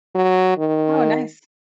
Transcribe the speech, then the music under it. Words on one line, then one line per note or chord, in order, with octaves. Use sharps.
Oh, nice.
F#3
D#3